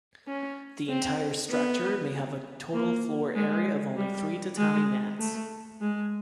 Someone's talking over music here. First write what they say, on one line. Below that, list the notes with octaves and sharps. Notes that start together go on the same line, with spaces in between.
The entire structure may have a total floor area of only three tatami mats.
C#4
C4
B3
A#3
G#3
G3
G#3
A3
G#3